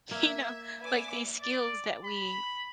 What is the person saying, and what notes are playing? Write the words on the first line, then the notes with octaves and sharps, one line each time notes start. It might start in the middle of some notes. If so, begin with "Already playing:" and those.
you know, like, these skills that we
A#3 E5 G#6
B4 D5 E5 G#5 D6
D5
B5